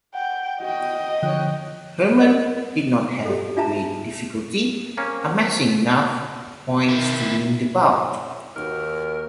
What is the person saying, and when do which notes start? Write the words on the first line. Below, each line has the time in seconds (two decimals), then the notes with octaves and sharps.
Herman did not have great difficulty amassing enough points to win the bout.
0.14 F#5 G5
0.62 F#4 D#5 G5
1.22 D3 F3 C#5 G5 F#6
2.19 A#4 D5 D#5
3.25 G4 A4
3.57 D4 F4 G4 E5 A5 A#5
4.97 A#3 C4 C#4
6.89 D#3 E4
8.56 D#2 D#4 F#4 A#4 B4